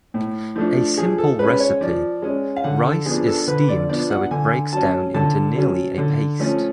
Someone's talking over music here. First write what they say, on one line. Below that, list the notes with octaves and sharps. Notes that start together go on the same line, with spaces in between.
A simple recipe: Rice is steamed so it breaks down into nearly a paste.
A2
F3 A3 D4
F3 G#4
A4
G#3 C#4 B4
C#5
F3 D5
G#3 C#4
F5
D3 F#5
A4
F3 B3 D4 G#4
A4
D3 B4
D5
F3 B3 D4 D5
F#5
D3 G#5
F#3 C#4 A5
D3 A5
F#3 C#4
D3
F3 A3 C#4